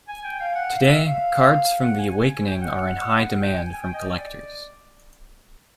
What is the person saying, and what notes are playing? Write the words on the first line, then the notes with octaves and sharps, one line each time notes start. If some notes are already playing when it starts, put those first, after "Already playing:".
Today, cards from The Awakening are in high demand from collectors.
G#5
G5
F5
F#5
F5
E5
F5
F#5
G#5
G#5
G5
F#5
G5
G#5
G#5
G5
D#5
D5